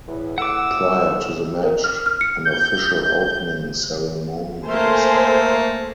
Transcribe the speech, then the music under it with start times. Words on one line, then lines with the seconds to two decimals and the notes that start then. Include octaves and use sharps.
Prior to the match an official opening ceremony was held.
0.07 E2 A2
0.38 A2 F#5 D6 E6
1.64 A#4
1.84 F6
2.06 F6
2.21 C#7
2.45 G6
4.66 A3 A#3 A4 C5 G#5